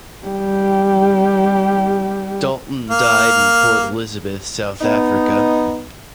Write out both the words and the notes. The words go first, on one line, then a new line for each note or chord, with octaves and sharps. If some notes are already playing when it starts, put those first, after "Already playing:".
Dalton died in Port Elizabeth, South Africa.
G3 G4
A#3 F6
B3 D#4